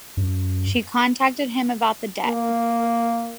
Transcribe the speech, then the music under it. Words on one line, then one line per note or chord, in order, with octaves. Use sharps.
She contacted him about the debt.
F#2
A#3